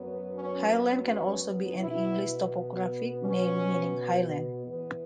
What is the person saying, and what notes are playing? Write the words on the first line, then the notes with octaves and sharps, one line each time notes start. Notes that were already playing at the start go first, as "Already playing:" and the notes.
Hyland can also be an English topographic name meaning "high land".
Already playing: F#2 F#3 B3
C#4
C#4
B2 B3 E4
C#4
E2 E3 B3